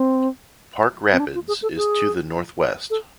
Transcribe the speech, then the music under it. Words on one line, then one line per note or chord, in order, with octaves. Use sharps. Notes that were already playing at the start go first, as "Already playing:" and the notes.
Park Rapids is to the northwest.
Already playing: C4
C4
D4
F4
G#4
A4
G#4
A4